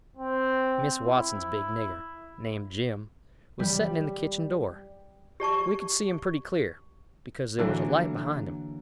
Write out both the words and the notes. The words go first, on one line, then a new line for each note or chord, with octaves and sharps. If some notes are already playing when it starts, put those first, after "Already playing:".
Miss Watson's big nigger, named Jim, was setting in the kitchen door; we could see him pretty clear, because there was a light behind him.
C4
E4
G3
G4 D5 A5 C#6
D3 E3 F#3 A#3